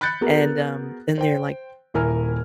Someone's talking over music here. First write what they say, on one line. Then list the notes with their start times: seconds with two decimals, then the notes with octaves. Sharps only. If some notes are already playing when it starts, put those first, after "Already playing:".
and, um, then they're like
0.01 B5 F#6 G6 A6 C#7
0.21 B3 F#4 G#4 A#4
1.18 C5 G5
1.94 D#1 E4 A#4 G#5 F6